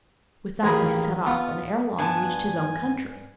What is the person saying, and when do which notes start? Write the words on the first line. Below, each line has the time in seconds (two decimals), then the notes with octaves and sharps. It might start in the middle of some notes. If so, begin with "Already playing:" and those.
With that he set off, and ere long reached his own country.
0.63 A1 D#2 G#4 A#4 G#5 B5
1.26 B3 F4
1.98 G2 B3 G#5 A5